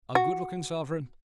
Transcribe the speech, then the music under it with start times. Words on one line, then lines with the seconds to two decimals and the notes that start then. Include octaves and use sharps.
A goodlooking sovereign.
0.15 F#4